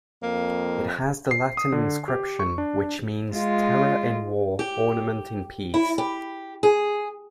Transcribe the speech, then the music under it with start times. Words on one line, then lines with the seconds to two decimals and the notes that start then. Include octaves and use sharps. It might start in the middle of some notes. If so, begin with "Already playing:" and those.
It has the Latin inscription: ", which means "terror in war, ornament in peace.
0.23 F2 A#3
1.31 C7
1.57 D#6
1.72 D3
2.08 G4
2.39 C#6
2.58 D4
3.32 G#3 F4
4.59 G4
5.74 E4
5.98 G4
6.63 G#4